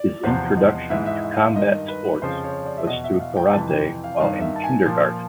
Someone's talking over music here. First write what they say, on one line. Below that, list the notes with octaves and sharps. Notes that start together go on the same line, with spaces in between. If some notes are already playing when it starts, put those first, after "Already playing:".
His introduction to combat sports was through karate while in kindergarten.
Already playing: D5
E2 C3 F3 C5
D#5
G#2 E3 E5
D#5
E5
E5
F5
E5
G2 D#3 D#5
B4
F2 C#3 F3 C5
C#5
D5
E5
E2 B2 D#5
E5
F5
G5
F2 C3 E3 A5
G5
F5
G2 D#3 F5
E5
A5
G#5
A#2 F3 A5